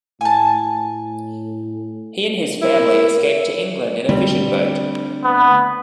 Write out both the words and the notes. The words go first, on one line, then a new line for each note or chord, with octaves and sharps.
He and his family escaped to England in a fishing boat.
A2 G#5 A5
E4 A#4
D3 G3 A3 C4
B3